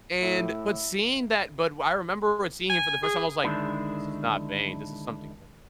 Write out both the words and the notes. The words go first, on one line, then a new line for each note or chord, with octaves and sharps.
and but seeing that but w I remember seeing him for the first time, I was like, "This is not Bane. This is something different."
A2 E4
G#5
G#4
D3 D#3 G#3 D4 E4